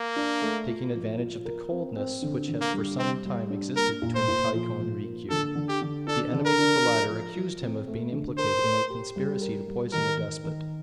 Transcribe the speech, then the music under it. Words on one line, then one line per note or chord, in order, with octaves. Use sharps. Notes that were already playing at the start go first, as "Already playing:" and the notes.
Taking advantage of the coldness which had for some time existed between the Taiko and Rikiu, the enemies of the latter accused him of being implicated in a conspiracy to poison the despot.
Already playing: A#3
D4
A3
F4
F3
F4
A#4
C4
C4
D3
D3
A#3
G3
G3 C4
G3
D4
A#3 A#4
A#2
C5
A#2
F3
F3
A#3
D3 A4
D3
G4
D3
D4 A4
D3
A#4
D4
F3
F3
F3
C4
A3
D3
A#4 C5
A#4
G4
G3
A#4
G3
D#3 A#4
D#3
D#3